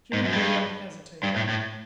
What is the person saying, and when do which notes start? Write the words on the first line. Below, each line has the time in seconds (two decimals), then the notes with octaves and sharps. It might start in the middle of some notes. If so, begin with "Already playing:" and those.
Jimmie Dale hesitated.
0.13 G#2
0.24 F#2
0.33 G2
1.23 G2
1.36 A2
1.49 A2